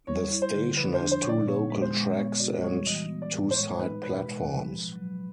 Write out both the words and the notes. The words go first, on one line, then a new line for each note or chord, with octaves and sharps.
The station has two local tracks and two side platforms.
G3 C#5
E4
C5
D3
F3 B4
C5
D4
C5
A#2 C#5
D5
B3 C#5
G#3
C5
G#3
B3 C#5
F#4 D5
G3 C#5
E3 D#5
B3
D5
A2
C5
G#3 C#5
D#4 B4
B2 B4
G#3
F3
F3
F#3